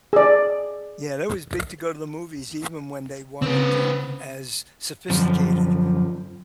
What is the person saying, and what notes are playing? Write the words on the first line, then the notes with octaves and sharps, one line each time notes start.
Yeah, that was big to go to the movies even when they weren't, uh, as sophisticated
G#4 D5
C#3 C4 B4
F#2 D3 F3